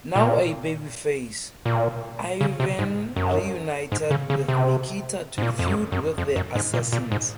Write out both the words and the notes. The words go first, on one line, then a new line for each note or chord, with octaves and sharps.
Now a babyface, Ivan reunited with Nikita to feud with the Assassins.
A#2
A#2
C#3
C3
G#2
F#2
G#2
C#3
C#3
C3
G#2
A#2
F2
F#2
F#2
F2
F#2
G#2
A#2
A#2
G#2